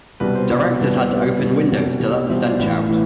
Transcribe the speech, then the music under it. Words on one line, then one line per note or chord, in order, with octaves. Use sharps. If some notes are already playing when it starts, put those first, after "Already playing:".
Directors had to open windows to let the stench out.
C2 B2 G3 B4
C5
C2 B2 G3 B4 D5
C2 B2 G3 B4
C5
C2 B2 G3 B4 D5
C2 B2 G3
C2 B2 G3
C2 B2 G3
C2 B2 G3 C5 E5
D5 F5
A1 A2 E3 B4
A2 E3